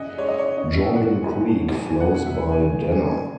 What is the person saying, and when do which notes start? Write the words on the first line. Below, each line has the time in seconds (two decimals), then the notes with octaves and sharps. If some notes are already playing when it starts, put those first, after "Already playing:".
Jordan Creek flows by Danner.
Already playing: C#3 D#5 E5 F#5 G#5
0.18 G#3 C#5
0.28 D#5
0.38 C#5
0.57 C#3 D#5
0.77 E5
0.96 C#4 F#5
1.22 G#5
1.36 B2
1.48 A5
1.74 F#3 G#5
1.90 G#5
2.00 F#5
2.14 B2 F#5
2.26 E5
2.52 A3 G#5
2.91 C#3 G#5